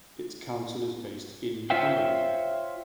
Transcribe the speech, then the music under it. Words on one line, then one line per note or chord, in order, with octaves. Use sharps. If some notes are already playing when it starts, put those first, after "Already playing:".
Its Council is based in Camberley.
F4 C5 C#5 E5 F5 G5